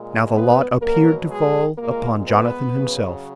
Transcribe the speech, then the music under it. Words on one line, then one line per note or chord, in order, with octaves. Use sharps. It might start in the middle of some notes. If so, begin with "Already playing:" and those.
Now the lot appeared to fall upon Jonathan himself.
Already playing: A#2 G#3
B3 B4
B2 F#3 A#3 A#4
G#3 G#4
A#2 G#3 A#3 A#4
B3 B4
C#3 F#3